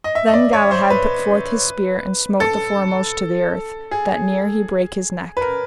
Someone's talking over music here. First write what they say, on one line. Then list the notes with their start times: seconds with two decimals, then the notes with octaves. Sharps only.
Then Galahad put forth his spear and smote the foremost to the earth, that near he brake his neck.
0.04 D#5
0.15 E5
0.28 D#5
0.34 D5
0.53 C#5
0.71 C5
0.90 B4
2.40 A4
3.91 G#4
5.37 B4
5.41 A#4